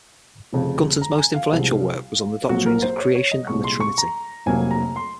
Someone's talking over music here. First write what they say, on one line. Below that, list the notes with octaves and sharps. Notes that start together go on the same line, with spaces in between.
Gunton's most influential work was on the doctrines of Creation and the Trinity.
F1 F2 C#3
A#5
G#5
F5
C2 C3 F3 G#3
A#1 A#2 F#3 A#3 F#4
A#4
C5
C#5
C#5
D#5
C2 A#2 G#3 C#6
C6
C#6
A#5
F1 F2 C3 F#3 A#3 G#5
A#5
C6